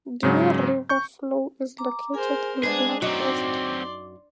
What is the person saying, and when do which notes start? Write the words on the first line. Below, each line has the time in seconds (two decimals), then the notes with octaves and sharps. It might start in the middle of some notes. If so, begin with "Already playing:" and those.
Deer River Flow is located in the northwest.
0.23 G#2 C#3 F#3
0.89 C#6 G6
1.78 A#5 D6
2.14 G#4 A#4 C5 G#5
2.63 G#3 B3 D4 G#4 C5
3.02 F#2 F#3 C4 D#4 F#4 D5 C6 D6